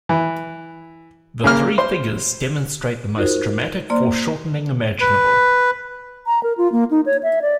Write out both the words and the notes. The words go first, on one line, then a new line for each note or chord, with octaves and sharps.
The three figures demonstrate the most dramatic foreshortening imaginable.
E3
C#3 A#3 F6
C5 C6
D#4 F4 F#4 A#4 C5
A#3 C5 D5 C6 F6
B4
A#5
A#4
F4
A#3
D#4
C#5
E5
D5